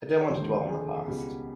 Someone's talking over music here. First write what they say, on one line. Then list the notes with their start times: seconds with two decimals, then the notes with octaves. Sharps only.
I don't want to dwell on the past.
0.21 C#5
0.29 F1 D#2 D3 C5
0.68 G#4
1.06 C#2 B2 G3